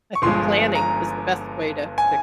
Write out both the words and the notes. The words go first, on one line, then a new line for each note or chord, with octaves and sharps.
I think planning is the best way to to,
C#6
G1 G2 F3 G#3 C6
A#5
G#5